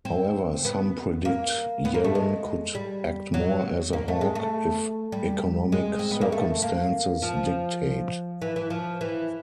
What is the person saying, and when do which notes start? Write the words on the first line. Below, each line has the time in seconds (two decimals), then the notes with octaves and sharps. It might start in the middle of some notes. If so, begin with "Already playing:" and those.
However, some predict Yellen could act more as a hawk if economic circumstances dictate.
0.05 C4
0.65 B3
1.25 A#3
1.85 B3
1.94 A#3
2.04 A3
2.15 G#3
2.75 G3
3.34 F#3
3.93 A#3
4.08 A3
4.21 G#3
4.35 A3
5.12 G3
5.72 G#3
5.99 C4
6.11 B3
6.21 A#3
6.32 A3
6.62 A#3
7.22 F3
8.42 E3
8.56 E3
8.70 F3
9.01 E3